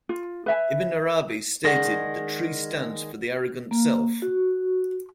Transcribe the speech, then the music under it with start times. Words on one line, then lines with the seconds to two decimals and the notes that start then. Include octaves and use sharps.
Ibn Arabi stated, the tree stands for the arrogant self.
0.09 F4
0.46 B4 E5 G#5
1.65 D#3 G#3 G#4 D5 F#5 A#6
3.71 A#3
4.22 F#4